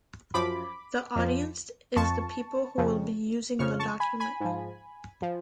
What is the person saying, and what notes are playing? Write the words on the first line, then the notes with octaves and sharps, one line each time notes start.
The audience is the people who will be using the document.
F#2 F3 B5 D6
F2 F3
F2 F3 A5 C#6
F2 C#3 F3
F2 C#3 F3 C#6 F6
A5 C#6
G#5 B5
G#5 B5
G#2 F3
F3